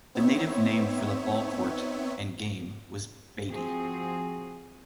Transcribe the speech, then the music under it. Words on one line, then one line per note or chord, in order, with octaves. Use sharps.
The native name for the ball court and game was "batey".
B3 C4 D#4 C#5 E5
F3 C4 F#4 G#4